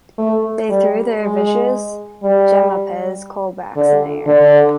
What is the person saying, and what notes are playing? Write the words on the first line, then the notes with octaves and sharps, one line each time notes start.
They threw their vicious Jemmapes colbacks in the air.
A3
G3
G#3
G3
D3
D3